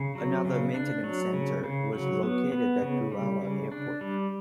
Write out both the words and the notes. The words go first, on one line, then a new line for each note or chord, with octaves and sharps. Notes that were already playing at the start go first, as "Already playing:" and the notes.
Another maintenance centre was located at Douala Airport.
Already playing: C#3
F#3
C#3
D4
F#3
C#3
C#3
F#3
B3
B3
C#3
G3
C#3
D4
G3